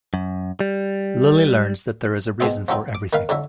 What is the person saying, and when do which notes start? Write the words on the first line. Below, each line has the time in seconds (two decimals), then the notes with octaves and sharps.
Lily learns that there is a reason for everything.
0.14 F#2
0.60 G3
2.40 G#2 B2 C4 D#5
2.68 F3 F#3 C4 D#4
2.95 D6
3.13 D#3 B4 F5
3.29 F2 D3 F#3 E4